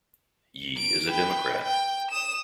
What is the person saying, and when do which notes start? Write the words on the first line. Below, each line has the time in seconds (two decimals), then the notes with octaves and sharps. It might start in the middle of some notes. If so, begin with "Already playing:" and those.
Yee is a Democrat.
0.77 D7
1.08 B4 G5
1.63 G5
2.11 D#6 E7